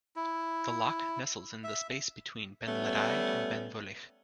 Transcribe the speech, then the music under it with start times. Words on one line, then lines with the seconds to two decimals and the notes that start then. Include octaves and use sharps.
The loch nestles in the space between Ben Ledi and Ben Vorlich.
0.16 E4
1.64 E5
2.68 G3 A3 B3 C#4